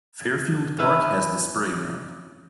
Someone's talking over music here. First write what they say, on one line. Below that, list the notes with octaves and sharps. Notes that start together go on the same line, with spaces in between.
Fairfield Park has the Sprayground.
C#4 E4 B4